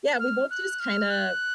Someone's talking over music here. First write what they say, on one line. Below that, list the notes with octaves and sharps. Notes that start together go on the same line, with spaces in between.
Yeah, we both just kinda
F6
F#6
F6
F#6